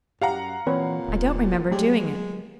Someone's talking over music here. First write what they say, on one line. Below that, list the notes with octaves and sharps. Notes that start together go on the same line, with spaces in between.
I don't remember doing it.
F#2 G4 F5 F#5 A#5
A#2 E3 C4 B4 C#5
D#1
F#3 G#3 A3 G4